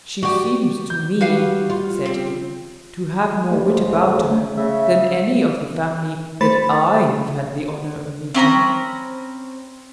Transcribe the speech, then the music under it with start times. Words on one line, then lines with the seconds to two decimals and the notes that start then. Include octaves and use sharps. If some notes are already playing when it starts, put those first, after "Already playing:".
"She seems to me," said he, "to have more wit about her than any of the family that I have had the honour of meeting."
0.23 F#4 G4 D5
0.90 G6
1.21 G3 F#4 B4 F5
1.70 F4
2.06 C4
3.51 G3 A3
3.64 F2 G#2 C#3
4.30 A3
4.58 C#3 E5
6.41 A3 C5 B5 A6
8.35 C4 C#4 A#5 B5